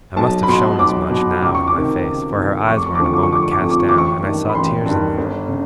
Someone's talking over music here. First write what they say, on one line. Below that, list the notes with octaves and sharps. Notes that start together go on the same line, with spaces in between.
I must have shown as much, now, in my face; for her eyes were in a moment cast down, and I saw tears in them.
B1 A5
B5
B2 C6
B1 D6
B2
C#2 D6
C#6
D6
C3 D#3
C#2
C3 D#3
F1 C#6
D6
C#6
F2 D3 F3 D6
C#6
D6
C#6
F1 D6
C#6
D6
F2 D3 F3 C#6
D6
C#6
A1 D6
C#6
G2 D#3
B5
A1 C6
G2 D#3
G1
C#3